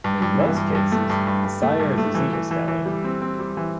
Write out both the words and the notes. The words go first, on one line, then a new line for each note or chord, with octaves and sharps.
In most cases, the sire is a zebra stallion.
G2
G2
E3
G2
G2
A3
G2
G2
G2
A3
G2
A3
E3
E3
E3
E3
G3
C4
C4
G3
E3